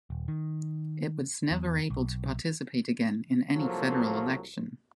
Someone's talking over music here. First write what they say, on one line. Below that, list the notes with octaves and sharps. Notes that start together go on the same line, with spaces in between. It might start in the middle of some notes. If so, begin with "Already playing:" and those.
It was never able to participate again in any federal election.
D#1
D#3
E2
B1
C2 F3 F#3 A#3 A4